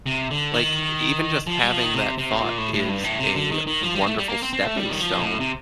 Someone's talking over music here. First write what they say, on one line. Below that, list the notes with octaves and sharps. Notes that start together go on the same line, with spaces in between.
Like, e even just having that thought is a wonderful stepping stone
C3
D3
D#3
F3
G3
F3
D#3
C3
C3
A#2
A2
A2
G2
A2
C3
D3
D#3
D#3
F3
G3
A#3
A3
G3
A#3
C4
C4
A3
G3
D#3
F3
A#2
A2
C3